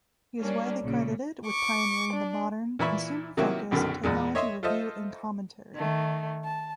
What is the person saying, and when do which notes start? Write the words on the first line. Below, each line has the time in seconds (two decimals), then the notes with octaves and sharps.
He is widely credited with pioneering the modern, consumer-focused, technology review and commentary.
0.40 G3 A#3 C#4 D4
0.84 A#1 A#2 C#3
1.47 C#6 D6
2.13 D4
2.79 A#2 E3 E4 B5 C#6
3.37 C3 D#3 F#3 A#3 E4 F#4
3.71 A#1 F#2 B2 D3 D#3
4.03 E2 A#2 G#3
4.35 C#5 D#5 E5 C6
4.63 F4 A4 C5 D#5 E5
5.74 D#3 A3
6.45 A5